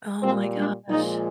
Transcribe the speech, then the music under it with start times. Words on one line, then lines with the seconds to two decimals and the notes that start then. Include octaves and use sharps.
Oh my gosh.
0.21 A#2 G3 C4
0.56 D4
0.89 A#2 F3 G#3 D#4